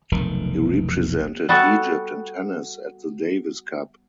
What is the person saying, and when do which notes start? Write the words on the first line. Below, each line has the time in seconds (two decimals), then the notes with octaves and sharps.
He represented Egypt in tennis at the Davis Cup.
0.12 F1 B1 D#3
1.49 G3 B3 F#4 A4